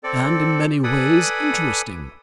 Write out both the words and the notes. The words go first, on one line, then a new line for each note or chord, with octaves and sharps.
And in many ways interesting.
C4 A4 D5
A4 B4 D5 G#5 B5 D#6